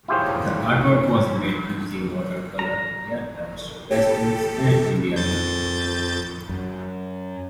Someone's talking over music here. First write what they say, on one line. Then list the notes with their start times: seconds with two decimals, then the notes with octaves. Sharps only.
The artwork was made using watercolor airbrush, pastels, and India ink.
0.08 E4 F4 G4 G#4 C5 C#5
2.59 A#5
3.91 G4 A4
5.15 F2 G6 A6
6.49 F#2